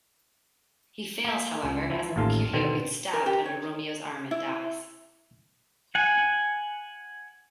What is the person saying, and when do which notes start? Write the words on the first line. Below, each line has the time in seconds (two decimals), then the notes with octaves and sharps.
He fails, however, as Mercutio gets stabbed under Romeo's arm and dies.
1.24 A#3 E5
1.63 C#2
1.90 F3 E4
2.16 A1 D#2 F4 A4 F5
2.53 B2 D3 D#3 C4
3.13 A#4
3.26 G4
3.46 C#5
4.31 E4
5.95 F#5 G#5